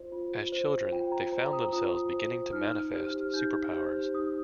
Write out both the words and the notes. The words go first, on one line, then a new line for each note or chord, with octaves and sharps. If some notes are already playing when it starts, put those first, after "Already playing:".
As children, they found themselves beginning to manifest superpowers.
Already playing: F4 C5
F4
C5
F4 G5
A#5
C5 A#5
D#6
F4 D#6
C5
D#4 F6
F6
G4 C5
F6
F6
D#4 G6
G4 C5
D#4 D#6